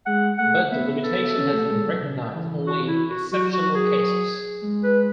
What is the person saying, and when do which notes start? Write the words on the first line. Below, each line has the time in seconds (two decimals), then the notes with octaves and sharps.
But the limitation has been recognized only in exceptional cases.
0.06 G#3 F#5
0.38 A3 F#5
0.71 B3 E5
1.03 A4
1.36 C#4
1.53 A3
1.69 G#3
1.85 F#3
2.02 C#3
2.34 E3
2.67 F#4
2.88 E4
3.10 F#4
3.31 F#3 F#4
3.53 F#4
3.75 G#4
4.62 G#3
4.84 B4